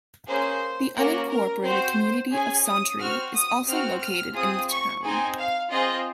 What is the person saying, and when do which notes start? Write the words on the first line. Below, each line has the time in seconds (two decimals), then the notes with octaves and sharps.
The unincorporated community of Sauntry is also located in the town.
0.28 A#3 C#4 G#4 C5
0.96 A#3 C#4 F#4 A#4
1.30 A#4
1.63 C4 F#4 C5
2.31 C#4 G#4 G#5
2.66 D#6
2.99 C4 F#4 F6
3.33 D#6
3.67 C4 F#4 F6
4.01 F6
4.35 C4 F4 G#4 D#6
4.68 C#6
5.02 C4 D#4 G#4 G#5
5.37 F5
5.71 C4 F4 G#4 D#5